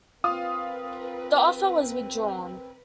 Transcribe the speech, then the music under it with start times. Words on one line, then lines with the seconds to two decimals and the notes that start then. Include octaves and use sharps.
The offer was withdrawn.
0.24 C4 F4 A#4 B4 F5 D#6